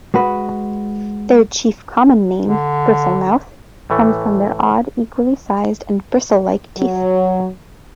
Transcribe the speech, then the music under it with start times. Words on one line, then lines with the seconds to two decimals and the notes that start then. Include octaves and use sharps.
Their chief common name, bristlemouth, comes from their odd, equally sized, and bristle-like teeth.
0.14 G#3 F#4 B4
2.45 D3
3.90 A2 E3 A3
6.78 F#3